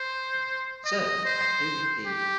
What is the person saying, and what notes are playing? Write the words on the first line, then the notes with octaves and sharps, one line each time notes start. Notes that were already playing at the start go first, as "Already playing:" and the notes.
Sir, I do indeed.
Already playing: C5
D#5
C5
G4